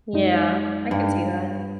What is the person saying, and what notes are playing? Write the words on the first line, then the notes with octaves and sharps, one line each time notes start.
Yeah. I can see that.
F#2 G#3 D#4
G2